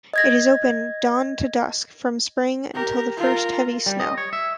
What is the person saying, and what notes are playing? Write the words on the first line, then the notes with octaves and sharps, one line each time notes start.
It is open dawn to dusk from spring until the first heavy snow.
D#5 G#6 A#6
G4 A#4
F4 A#4
G3
D#5
C#5
E5